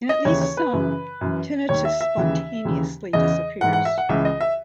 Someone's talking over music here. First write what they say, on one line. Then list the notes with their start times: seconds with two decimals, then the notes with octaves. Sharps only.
In at least some, tinnitus spontaneously disappears.
0.09 D#5
0.25 D#2 C#3 E3 C#5
0.41 C#5
0.57 B4
0.73 F#2 C#3 E3
1.21 F#2 E3
1.69 D#2 D#3 C#5
1.85 E5
2.01 E5
2.17 D#2 C#3 E3
2.65 D#2 C#3 E3
3.13 E2 C#3 E3 D#5
3.61 G#2 E3 F#5
3.73 F#5
3.85 E5
3.98 F#5
4.09 C#2 C#3 E3 E5
4.25 D#5
4.41 E5